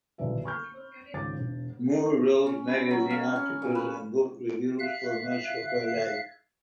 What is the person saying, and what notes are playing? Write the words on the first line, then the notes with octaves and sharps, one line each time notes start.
Moore wrote magazine articles and book reviews for much of her life.
D#1 B1 D3 E3 B4 E5
B5 C#6 F6 G6
G#1 C#2 C#5 D6 A6
E1
C#4
E4
F#3
F5
C#4
A#2
B4
E5 F5 F#6